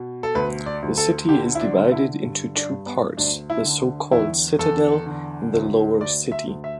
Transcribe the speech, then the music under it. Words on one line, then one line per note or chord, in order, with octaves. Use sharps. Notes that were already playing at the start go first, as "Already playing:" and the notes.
The city is divided into two parts, the so-called Citadel and the Lower City.
Already playing: B2
A4
D2 B4
D5
D2
A4
D3 G4
E4
D4
D3
E4
G2
D4
G2
B3
D2 D4
E4
D3
E2 E4
E2 A4
D3
D2
D2 D5
E5
D2
E5